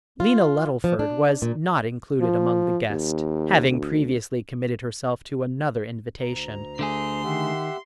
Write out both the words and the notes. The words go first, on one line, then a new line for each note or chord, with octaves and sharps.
Lena Luddleford was not included among the guests, having previously committed herself to another invitation.
F4
F3
D4
A#2
F3
D#2
D2
D2 A#5
D3 A3 G#4 C6
D#3 G4 E5 F#5